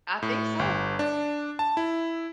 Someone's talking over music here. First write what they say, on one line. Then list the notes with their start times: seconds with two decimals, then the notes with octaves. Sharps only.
I think so.
0.22 A2
0.59 G1
0.99 D4
1.59 A5
1.77 E4